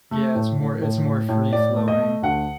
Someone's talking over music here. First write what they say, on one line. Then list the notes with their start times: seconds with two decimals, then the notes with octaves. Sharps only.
Yeah, it's more it's more free-flowing,
0.11 A3
0.35 A2
0.58 A2
0.82 A2
1.05 A2
1.29 A2
1.52 A2 D5
1.76 A3
1.88 D#5
1.99 A3
2.22 D2 F#5